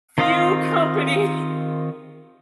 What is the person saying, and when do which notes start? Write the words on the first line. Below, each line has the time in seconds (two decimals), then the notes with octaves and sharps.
few company
0.18 D#3 C4 F4 D#5 F5